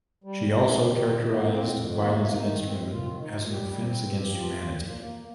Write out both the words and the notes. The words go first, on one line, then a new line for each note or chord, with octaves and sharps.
She also characterised violence against women as an offence against humanity.
G3
F2
F2
D#3
G4
D#3
D#3
A#3
C4
F2
F2
D#3
A#3
C3
D#4
D#3
C4
D#2
F4
D#3
D#4
A#2
G4
G3
C4
G2
G4
F3
F4
A#2
A#2
A#3
A#3